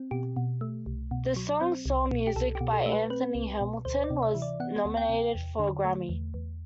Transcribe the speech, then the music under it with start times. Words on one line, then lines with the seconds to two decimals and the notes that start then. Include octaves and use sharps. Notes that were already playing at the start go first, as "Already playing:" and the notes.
The song "Soul Music" by Anthony Hamilton was nominated for a Grammy.
Already playing: C4
0.11 B2 G4
0.36 B2
0.61 A3
0.86 C2
1.11 B2
1.36 F#3
1.61 C4
1.86 C2
2.11 B2
2.27 G4
2.36 C2 A4
2.55 G4
2.61 B2
2.73 A4
2.86 A3
2.92 B4
3.10 C4 B4
3.35 C2
3.61 B2
3.85 D2 C5
4.04 D5
4.10 C3
4.23 E5
4.35 E3
4.42 D5
4.60 B3 F#5
4.85 D2
4.97 G5
5.10 C3
5.35 E2
5.59 D3
5.85 A3
6.09 E2
6.34 E2